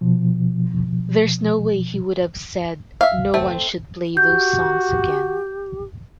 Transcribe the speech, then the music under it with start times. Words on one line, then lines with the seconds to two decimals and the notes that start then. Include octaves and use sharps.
There's no way he would have said 'No-one should play those songs again.
0.01 B2 F3
3.01 E5 F5
3.34 A3 C4
4.17 F#4 G4 G6